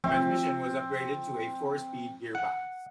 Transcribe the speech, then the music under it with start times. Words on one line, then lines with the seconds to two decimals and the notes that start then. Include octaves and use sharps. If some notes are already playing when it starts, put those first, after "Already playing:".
Transmission was upgraded to a four speed gear box.
0.04 F3 C4 E5
2.35 F#5